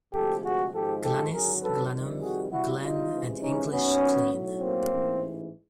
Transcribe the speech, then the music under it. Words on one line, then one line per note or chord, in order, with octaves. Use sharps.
Glanis, Glanum, Glen and English "clean".
D2 C3 F3 G#3 G4 A4
F#4 G#4
G#1 G#2 F3 G#3 G4 A4
G4 A4
G#1 F#2 D3 F#3 G#4 A#4
A4 B4
F2 C3 D#3 G3
F#4 G#4
C2 B2 G3 E4 F#4
D#4 F4
C#2 C3 E3 G#3
C#4 D#4
D#2 D#3 F#3 B3 C#4
B1 A2 F#3
A#3 C4
A1 G#2 E3